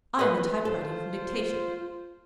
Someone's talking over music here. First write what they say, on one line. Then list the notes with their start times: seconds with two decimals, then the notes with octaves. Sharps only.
'I am the typewriting from dictation.
0.19 B4 D#5
0.65 F4 A4 C5